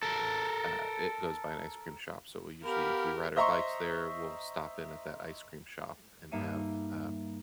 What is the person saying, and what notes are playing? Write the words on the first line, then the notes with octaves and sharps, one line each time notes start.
uh, it goes by an ice cream shop, so we usually if we ride our bikes there, we'll stop in at that ice cream shop and have, um
A4 A#4
B3 G4 A#4 F5 B5
C5 D#5 E5 A#5 C6 C#6
G2 A#3 D#4 E5 C#7 D#7